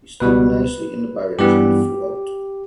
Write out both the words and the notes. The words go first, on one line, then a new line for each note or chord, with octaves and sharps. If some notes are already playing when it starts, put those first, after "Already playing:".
He stood nicely in the barriers and flew out.
C#2 B2 G3 B3 B4
G2 E3 G3 B3 G4